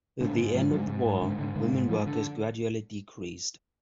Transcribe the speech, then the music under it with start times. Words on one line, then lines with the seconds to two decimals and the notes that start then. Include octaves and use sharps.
With the end of the war women workers gradually decreased.
0.20 G#2 D3
0.38 G#2
0.54 G#2 F3
0.71 G#2 F#3
0.88 G#2
1.05 G#2
1.21 G#2 D3
1.38 G#2 D3
1.55 G#2 D3
1.73 G#2
1.89 G#2 F3
2.07 D3